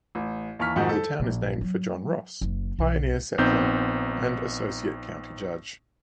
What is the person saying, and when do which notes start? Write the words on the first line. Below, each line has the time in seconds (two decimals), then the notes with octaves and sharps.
The town is named for John Ross, a pioneer settler and associate county judge.
0.15 A1
0.59 D#2 E3 A#5 C#6 F6 B6
0.76 F2 G#2 D#3 F#4 F#5 G6
0.89 A4
1.20 A#1
1.61 F#3
2.41 F#1
2.79 B1
3.38 A#1 B3 C4 D#4 G6